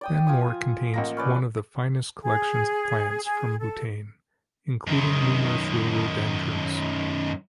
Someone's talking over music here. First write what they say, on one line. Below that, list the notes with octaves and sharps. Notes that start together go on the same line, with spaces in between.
Benmore contains one of the finest collections of plants from Bhutan including numerous rhododendrons.
D5 G5 D#6
F3 G#5 D#6
A1 A#3 A#6
C#4 B4 D5
G#4
G#4
A4
F#2 D#3